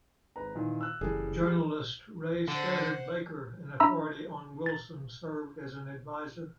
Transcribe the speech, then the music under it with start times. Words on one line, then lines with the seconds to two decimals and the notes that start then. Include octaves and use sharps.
Journalist Ray Stannard Baker, an authority on Wilson served as an adviser.
0.36 G#1 B4 A#5
0.55 A#2 D#3 E3
0.81 E6 F#6
1.01 F#1 E3 G3 G#4 A4
1.43 G3
2.48 D3 C5 F#5
3.80 D4 E5 A#5 B5 E6
4.66 A6